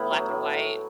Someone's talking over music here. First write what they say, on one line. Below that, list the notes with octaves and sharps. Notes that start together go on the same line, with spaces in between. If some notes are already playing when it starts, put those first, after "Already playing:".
black and white,
Already playing: A2 B3 B5
F#3
A2